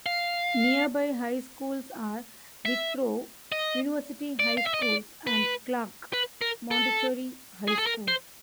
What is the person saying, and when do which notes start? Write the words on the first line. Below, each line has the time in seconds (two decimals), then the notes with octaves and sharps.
Nearby High Schools are Withrow University High School and Clark Montessori High School.
0.06 F5
2.65 E5
3.52 D#5
4.40 D5
4.57 F5
4.66 E5
4.74 D#5
4.82 D5
5.27 B4
6.13 B4
6.41 A#4
6.71 A4
7.68 G#4
7.78 A4
7.86 A#4
8.08 C5